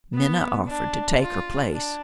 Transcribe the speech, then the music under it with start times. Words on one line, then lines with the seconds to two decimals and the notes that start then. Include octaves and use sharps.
Minna offered to take her place.
0.14 B3
0.68 D4
1.20 F4
1.73 D4